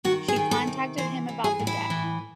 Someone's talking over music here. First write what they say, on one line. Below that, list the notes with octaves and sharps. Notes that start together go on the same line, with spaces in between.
She contacted him about the debt.
D#3 F#4
G#4
D#3
A4
C3
E3 C5
E3
G#4
A2
E4
E3